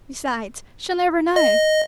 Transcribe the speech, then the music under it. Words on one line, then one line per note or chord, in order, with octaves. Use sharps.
Besides, she'll never know.
D#5